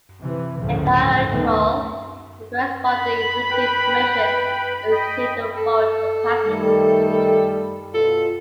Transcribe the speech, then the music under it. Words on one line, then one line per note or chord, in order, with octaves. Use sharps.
If they are equal, the corresponding routing information is used to forward the packet.
C3 E3
G1 D2 A2 C#3 F3 F#3
D2 B2 D#3 A3 B3
B5
B4 G5
D#5 G5 B5
A4
D#3 G3 A3
B2 F4 A4